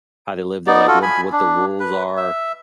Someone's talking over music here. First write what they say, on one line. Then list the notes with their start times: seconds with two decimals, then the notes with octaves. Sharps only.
how they lived there, like, what what the rules are,
0.67 B3 D#4 D5
0.87 F4 F#4 A4
1.02 G#5 B5
1.32 D4
1.80 B4
2.17 E5